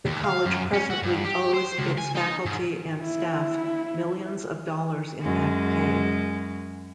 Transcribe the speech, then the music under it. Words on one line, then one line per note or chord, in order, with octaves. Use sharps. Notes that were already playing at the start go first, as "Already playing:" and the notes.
The College presently owes its faculty and staff millions of dollars in back pay.
D#2
F5
F#2
C#4
F#4
G2
G4
C5
C#2
G#5
D#4
G#2
E4
F#2 G#3